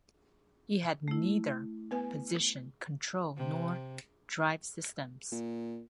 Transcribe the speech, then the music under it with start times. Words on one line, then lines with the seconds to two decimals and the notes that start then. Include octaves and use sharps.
It had neither position control nor drive systems.
1.08 A3 E4
1.91 B3 B4 G#5
3.36 C3
5.32 A#2